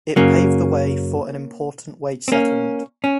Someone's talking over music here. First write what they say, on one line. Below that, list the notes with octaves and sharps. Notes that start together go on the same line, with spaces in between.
It paved the way for an important wage settlement.
F#2 C#3 F#3 A#3 C#4
C4
A#3 C#4
C#4